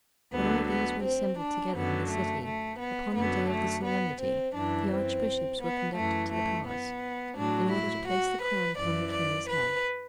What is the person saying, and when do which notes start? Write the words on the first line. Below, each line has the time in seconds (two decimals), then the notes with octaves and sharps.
When all these were assembled together in the city, upon the day of the solemnity, the archbishops were conducted to the palace, in order to place the crown upon the king's head.
0.33 D2 D3 F#3 B3
0.68 B3
1.03 C4
1.39 D4
1.74 F#2 D3 F#3 B3
2.09 A3
2.45 A3
2.79 B3
3.15 F#2 D3 F#3 B3
3.49 A3
3.84 B3
4.20 C4
4.55 F#2 E3 D4
4.91 C4
5.61 B3
5.96 F#2 E3 A3
6.32 A3
6.67 B3
7.36 A2 F#3 D4
7.72 E4
8.08 F#4
8.42 B4
8.78 F#2 E3 D5
9.13 D5
9.48 B4